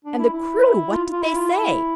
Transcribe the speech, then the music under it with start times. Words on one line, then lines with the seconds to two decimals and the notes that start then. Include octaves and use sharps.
"And the crew, what did they say?"
0.05 D4
0.18 E4
0.33 E4
0.63 E4
0.92 F4
1.12 F4
1.22 E4
1.36 F4
1.51 E4